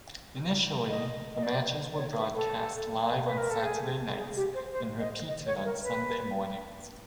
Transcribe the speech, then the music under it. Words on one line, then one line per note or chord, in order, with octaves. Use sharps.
Initially, the matches were broadcast live on Saturday nights and repeated on Sunday mornings.
D#5
D#5
D5
D5
C#5
B4
A4
B4
A#4
A4
G#4
G#4
G4
C5
C5
D#5
D#5
C#5
A#4
B4